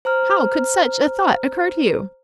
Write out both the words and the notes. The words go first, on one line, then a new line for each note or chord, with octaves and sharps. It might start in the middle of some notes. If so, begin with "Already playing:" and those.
How could such a thought occur to you?
C5 A#5 F6